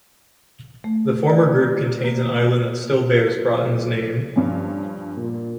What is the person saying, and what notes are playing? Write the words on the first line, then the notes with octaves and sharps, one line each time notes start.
The former group contains an island that still bears Broughton's name.
A3
D5
A#3
B1
G2 F3 C#4
A#2